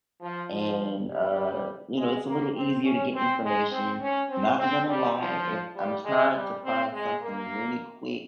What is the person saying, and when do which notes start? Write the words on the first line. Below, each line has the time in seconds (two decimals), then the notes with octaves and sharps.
and, uh, you know, it's a little easier to get information. Not gonna lie, if I'm trying to find something really quick,
0.21 F3
0.50 F3
1.09 G3
1.97 G#3
2.26 A#3
2.55 C4
2.84 C#4
3.14 C4
3.43 G#3
3.71 C4
4.01 C#4
4.30 C4
4.59 C4
4.88 G3
5.18 F3
5.76 G3
6.05 G#3
6.34 G3
6.64 C4
6.93 G#3
7.21 A#3